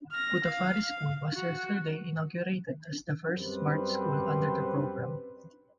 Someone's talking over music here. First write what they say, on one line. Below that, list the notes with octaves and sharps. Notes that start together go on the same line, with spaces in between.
Kudafari School was yesterday inaugurated as the first Smart School under the programme.
F6 A#6
F5
F#4
F#2 G3 C4 B4 C5